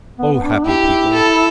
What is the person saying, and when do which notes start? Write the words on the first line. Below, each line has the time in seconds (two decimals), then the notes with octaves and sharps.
O happy people!
0.19 B3
0.32 B3
0.43 D4
0.65 E4 G4
1.13 A4